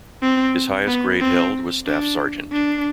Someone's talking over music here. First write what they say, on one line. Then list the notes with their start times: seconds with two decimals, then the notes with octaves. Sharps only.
His highest grade held was staff sergeant.
0.22 C4
0.87 B3
1.21 C4
1.86 D4
2.52 D4